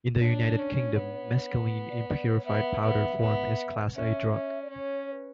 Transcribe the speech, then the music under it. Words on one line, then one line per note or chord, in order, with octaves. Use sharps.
In the United Kingdom, mescaline in purified powder form is a Class A drug.
D4 C#5
C#4
B3
D5
D5
C#5
B3 E5
B3
B3
C#4 E5
C#4
D5
C#4 C#5
C#5
B4